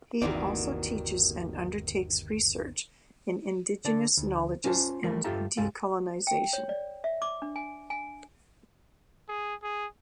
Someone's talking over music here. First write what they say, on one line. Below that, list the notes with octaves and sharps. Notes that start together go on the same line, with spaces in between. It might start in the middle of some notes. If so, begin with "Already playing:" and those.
He also teaches and undertakes research in Indigenous knowledges and decolonisation.
G1 D#2 C3 D#3 E3 A#3 F#4 D5
D3 D5 A5
D2
C#4 F4 C5 G#5 A5
E3 G3 A3 A#4
G2 F4 G4 A4 E5 A#5
C2 G2 G#3 A4 F5
G5
C#5
D5
E5
D6
D4
G#5
G#5
G#4
G#4